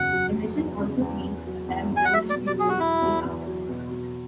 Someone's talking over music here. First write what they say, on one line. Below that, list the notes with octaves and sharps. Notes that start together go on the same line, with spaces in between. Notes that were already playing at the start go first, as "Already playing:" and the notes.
The mission also aimed to attack German U-boats in the harbour.
Already playing: F#1 E2 F#3 F#5
F#3
F#3
E2
C#3
E2
E2
F#3
E2
E2
G#5
F#5
F#3 E5
D5
B2
D5
F#3 G#4
F#4
E2 E4
E2
E2
F#3
B2
B2